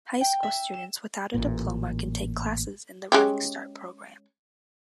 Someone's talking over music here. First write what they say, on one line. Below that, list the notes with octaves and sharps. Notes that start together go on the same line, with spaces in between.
High school students without a diploma can take classes in the Running Start program.
G5
E5
E7
A1 A#2
G#3 C#4 G4